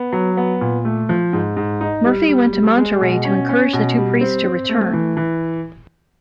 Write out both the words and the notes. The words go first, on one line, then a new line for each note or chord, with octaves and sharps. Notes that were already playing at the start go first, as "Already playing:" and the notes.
Murphy went to Monterrey to encourage the two priests to return.
Already playing: B3
F#3
B3
A#2
A3
F3
G#2
G#2
D#4
G3
G3
G3
G#3
B2
C#4
C#4
B2
G3
C4
C4
A3
E3
E3